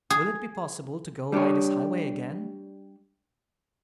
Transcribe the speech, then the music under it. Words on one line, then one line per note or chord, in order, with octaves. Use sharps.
"Will it be possible to go by this highway again?"
G#4
G3 D4 G4 C#5